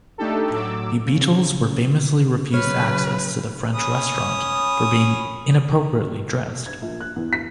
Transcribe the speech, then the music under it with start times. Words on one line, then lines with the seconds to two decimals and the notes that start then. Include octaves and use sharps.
The Beatles were famously refused access to the French Restaurant for being "inappropriately dressed".
0.18 A3 D4 D#4 G4 A4
0.51 A2 F#3 D6 E6
1.06 C#3
2.53 C#3 F#3 B4 C#5 F6
3.75 C#4 B5 D#6
6.66 G#6
6.82 A#1
7.01 F#6
7.16 E2
7.33 B6